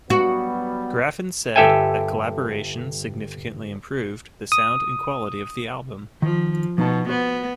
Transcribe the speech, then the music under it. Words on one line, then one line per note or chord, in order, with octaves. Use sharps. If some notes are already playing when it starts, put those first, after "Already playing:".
Graffin said that collaboration significantly improved the sound and quality of the album.
F#3 G3 B3 F#4
G1 G4 A4 E5 G5 G#5
D#6
D#3 F3
B2 F3 D#4 A5
B3 F#4 C5